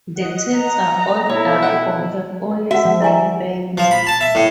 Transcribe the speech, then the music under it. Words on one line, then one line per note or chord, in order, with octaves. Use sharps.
The tails are all-dark or have only slight bands.
D#5 F#5
A#5
B2 D#4 E4 A4 C#5
F#5 G5
F#4 E5 F#5
F3
E4 G#5 A#5
F3
B5
A5
E5
A2